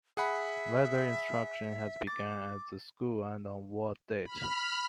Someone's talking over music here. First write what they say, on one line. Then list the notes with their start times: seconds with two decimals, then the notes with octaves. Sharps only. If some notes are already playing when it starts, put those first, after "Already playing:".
Whether instruction has begun at the school, and on what date.
0.17 G#4 E5 F#5 B5
2.07 D6 A6
4.24 B5 F6